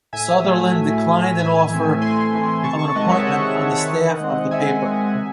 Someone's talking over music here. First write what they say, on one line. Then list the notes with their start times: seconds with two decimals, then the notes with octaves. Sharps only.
Sutherland declined an offer of an appointment on the staff of the paper.
0.13 A2 E5 G#5
0.44 F#3 A3
0.76 A2
1.07 F#3 A3
1.38 A2 E5 G#5
1.70 E3 A3 C4
2.01 A2 G#5 C6
2.32 E3 A3 C4
2.63 C3 A5 C#6
2.79 A5 C#6
2.95 D#3 G#3 C4 D#5 F#5
3.11 C#5 E5
3.26 C3 D#5 F#5
3.58 D#3 G#3 C4
3.89 D#3
4.20 G#3 C4
4.51 D#3 E5 G#5
4.83 G#3 C4
5.15 C3